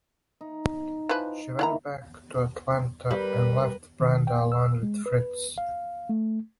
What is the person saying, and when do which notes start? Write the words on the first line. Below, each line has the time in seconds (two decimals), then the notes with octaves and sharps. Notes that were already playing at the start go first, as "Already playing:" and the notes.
She went back to Atlanta and left Brenda alone with Fritz.
0.41 D#4
1.09 E3 F3 B4
1.59 D#3 E3 A#3 E4 F#5 A#5
3.11 G3 A#4 B4
4.00 D#3
4.27 G5
4.52 E6
4.83 G#3
5.06 B4
5.58 F5
6.09 A3